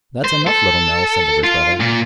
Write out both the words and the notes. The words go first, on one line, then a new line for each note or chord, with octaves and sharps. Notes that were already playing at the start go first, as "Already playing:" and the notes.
"That's enough, Little Mill," said the Rich Brother.
C5
A4
F4
A#2